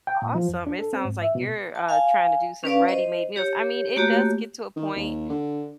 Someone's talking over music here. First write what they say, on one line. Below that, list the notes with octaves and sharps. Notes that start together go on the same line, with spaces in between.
awesome. It sounds, like, you're, uh, trying to do some ready-made meals. I mean, it does get to a point,
G5
A#2
F3
F2
D4
A4
C4
G#2
E5
B2
A5
F5 G#5
C#4 B4 D5 F5
C5 D#5
G4 C#5
A3 A#3 F#4 G4 C#5
D#3
D#2
D3